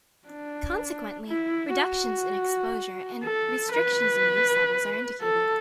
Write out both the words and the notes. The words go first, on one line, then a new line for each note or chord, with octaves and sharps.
Consequently, reductions in exposure and restrictions in use levels are indicated.
D4
E4
F#4
A4
B4
A4